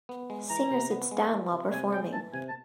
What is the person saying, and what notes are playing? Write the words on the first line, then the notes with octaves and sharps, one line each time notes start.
Singer sits down while performing.
B3
G#3
E3 A#5
C3
B3
G#3
E3
C3
C3 G#5
G#3 G5
E3 A5
C3 G#5
A5